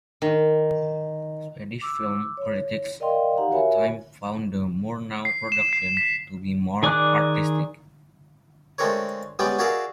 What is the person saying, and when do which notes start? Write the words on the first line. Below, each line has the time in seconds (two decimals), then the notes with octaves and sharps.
Swedish film critics of the time found the Murnau production to be more 'artistic'.
0.22 D#3
1.81 D6 E6
2.37 C#5
3.00 A#4 D5 D#5 F5 G5 C6
3.37 D#4 G4 F5 F#5 A#5
3.51 F#4 A#4 C#5 E5 G#5 B5
5.25 C7
5.52 E7
5.73 C7
5.97 B6
6.83 D#3 G#4 D5 D6 F#6
8.78 G#3 A3 C4 D4 A#4 C#5
9.39 G3 G#3 B3 C#4 G4 D5
9.59 F#4 G#4 A#4 D5 E5 F5